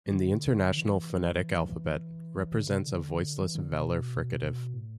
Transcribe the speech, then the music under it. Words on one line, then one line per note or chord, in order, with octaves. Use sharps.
In the International Phonetic Alphabet, represents a voiceless velar fricative.
D3
E3
E3
D3
C3
D3
E3
D3
B2
A2